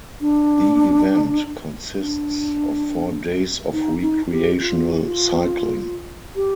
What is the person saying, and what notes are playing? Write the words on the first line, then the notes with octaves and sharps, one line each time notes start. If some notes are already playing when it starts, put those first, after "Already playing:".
The event consists of four days of recreational cycling.
D4
D4
D#4
D#4
G4
F4
F4
G4